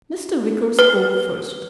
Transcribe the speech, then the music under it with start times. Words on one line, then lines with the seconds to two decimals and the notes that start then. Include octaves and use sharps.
Mr. Wicker spoke first.
0.79 B4